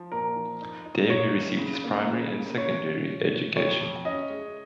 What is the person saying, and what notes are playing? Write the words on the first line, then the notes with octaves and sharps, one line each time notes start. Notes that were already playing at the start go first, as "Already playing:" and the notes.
There, he received his primary and secondary education.
Already playing: F3
A#2 A#4
F3
D#4
D#4
D#4 C#5
D#3
C#3
A#3
C#3
A#3
C#4 C#5
C#4
C#4
G#2
F2 C#5
F2
C#4 D#5
G#3